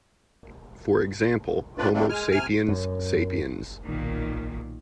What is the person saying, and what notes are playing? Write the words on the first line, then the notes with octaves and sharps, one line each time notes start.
For example: "Homo sapiens sapiens".
A3 C4 D4 F4 B4 D5
D#3 G3 A3 A#3 C4 D4
G#3 G#5 F6
C3 G#5 F6
F#2
B1 A#2 D#3